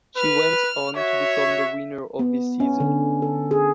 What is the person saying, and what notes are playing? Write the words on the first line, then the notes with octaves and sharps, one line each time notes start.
She went on to become the winner of this season.
B4 F6
F#4 C#5 E5
B3
C#4
D3
A4
G#4